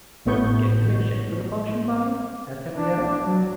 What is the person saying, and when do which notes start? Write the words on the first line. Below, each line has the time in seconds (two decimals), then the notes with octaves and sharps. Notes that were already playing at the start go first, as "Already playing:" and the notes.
"Get them in shape for the function, Bunny?" asked Henriette.
0.25 A1 A2 B3 C#6 G6
2.77 D4
3.23 F#3